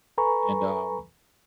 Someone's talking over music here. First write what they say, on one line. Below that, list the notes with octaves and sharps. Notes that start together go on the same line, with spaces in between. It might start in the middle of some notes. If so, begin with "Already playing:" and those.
And, um
A4 B4 G#5 A#5 B5 C#6